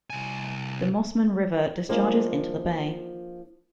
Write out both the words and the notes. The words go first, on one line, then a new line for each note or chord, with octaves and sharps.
The Mossman River discharges into the bay.
C2 G#5
F3 G#3 A#3 D4 F4